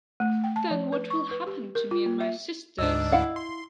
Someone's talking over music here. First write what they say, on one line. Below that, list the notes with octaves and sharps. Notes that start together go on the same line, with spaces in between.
Then what will happen to me and my sisters?
A3
G5
A5
F3
B4
C#6
B4
G4
A#4
F4
A#3
E5
D2 G#2 D4 D#5 E6
E4 F5 F#5
C6